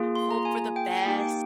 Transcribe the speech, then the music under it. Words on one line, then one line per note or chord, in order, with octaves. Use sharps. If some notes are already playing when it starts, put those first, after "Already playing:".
hope for the best.
Already playing: A#3 F4 G#4
C6
A#5
G#5
G5
G#5
A#3 D#4 G4 G5
G5